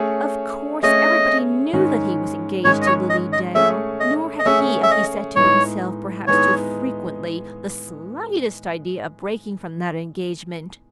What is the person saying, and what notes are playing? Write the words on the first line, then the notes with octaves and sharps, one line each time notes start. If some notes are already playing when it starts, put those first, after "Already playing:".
Of course, everybody knew that he was engaged to Lily Dale; nor had he, as he said to himself, perhaps too frequently, the slightest idea of breaking from that engagement.
Already playing: A3 C#4 G#4 C#5
A3 C#4 G#4 C#5 D#5
G#2 D#3 G#3 C#4
G#2 D#3 G#3 C#4 C#5
D#5
C#5
D#5
D#5
A3 C#4 G#4 E5
D#5
D#5
A3 C#4 G#4 E5
E5
D#5
A2 G#3 B3 D#4 C#5
A2 G#3 B3 D#4 C#5